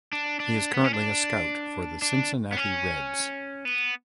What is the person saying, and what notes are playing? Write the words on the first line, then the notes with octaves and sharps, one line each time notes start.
He is currently a scout for the Cincinnati Reds.
D4
D4
B3
C#4
D4
D4
B3
C#4
B3